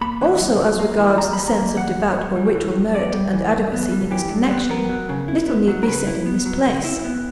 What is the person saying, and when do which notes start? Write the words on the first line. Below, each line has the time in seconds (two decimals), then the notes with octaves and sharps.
Also as regards the sense of devout or ritual merit and adequacy in this connection, little need be said in this place.
0.01 A#3 B5
0.21 E3
0.40 F#2
0.60 F#2
0.79 A#3
0.99 E3
1.18 F#2 A#5
1.33 F#2 B5
1.48 A#5
1.57 A#3
1.77 E3 F#5
1.97 F#2
2.16 F#2
2.36 G3
2.55 E3
2.74 G2
2.94 B3 D5
3.14 G3
3.33 E3
3.52 G2
3.72 B3
3.92 G3
4.11 E3 G4
4.30 G2
4.51 B3
4.70 B3 A#4
4.89 F#3
5.09 C#3
5.28 E4
5.48 B3
5.67 F#3
5.83 A#4
5.87 C#3 B4
6.07 E4
6.26 B3
6.46 F#3
6.65 C#3
6.84 E4
7.04 B3